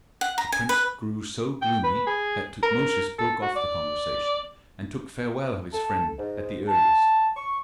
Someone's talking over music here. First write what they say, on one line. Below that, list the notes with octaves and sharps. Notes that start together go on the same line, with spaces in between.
The prince grew so gloomy that Tutmosis broke off the conversation and took farewell of his friend at the earliest.
F#5
A#5
G#5
B4
G5
B4
G#4
A#4
A4
F#4
D5
A4
G#2
A5
C#6